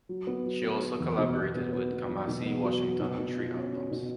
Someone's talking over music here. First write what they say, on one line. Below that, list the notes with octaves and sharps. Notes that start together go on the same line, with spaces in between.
She also collaborated with Kamasi Washington on three albums.
F#3
B3
F#3
B3
B3
E2
B2
B2
B3
B3
B3
F#3
B2
B3
F#3
B3
B2
B2
F4
C#4
C#4
B2